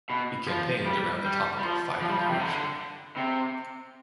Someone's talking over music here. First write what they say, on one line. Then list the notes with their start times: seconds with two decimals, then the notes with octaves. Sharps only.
He campaigned around the topic of fighting corruption.
0.10 B2
0.48 F3
0.86 G3
1.25 G3
1.59 G3
1.63 F3
2.02 F3
2.09 G3
2.17 F3
2.28 C3
2.40 D3
3.17 C3